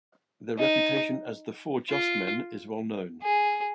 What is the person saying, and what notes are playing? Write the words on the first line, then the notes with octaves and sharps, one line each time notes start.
Their reputation as the "Four Just Men" is well known.
D#4
F4
G#4